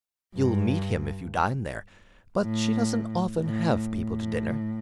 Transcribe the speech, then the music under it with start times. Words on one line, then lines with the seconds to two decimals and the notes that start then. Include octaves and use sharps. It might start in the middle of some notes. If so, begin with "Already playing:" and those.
You'll meet him if you dine there. But she doesn't often have people to dinner.
0.36 G2
2.41 A2
3.43 A2
3.94 A2